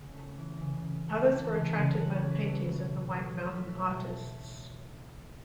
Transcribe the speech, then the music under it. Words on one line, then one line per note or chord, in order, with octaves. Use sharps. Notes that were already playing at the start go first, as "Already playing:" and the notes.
Others were attracted by the paintings of the White Mountain artists.
Already playing: C#3 F#5
A3
E3
C#3
C#3
A3 F#5
A5
E3
A5
C#3
B5
C#3 A5
F#5
A3
C#5
E3
B4
A3
B2
B2
A3 C#5
A3
E5
B2
B2 A5
A3
A3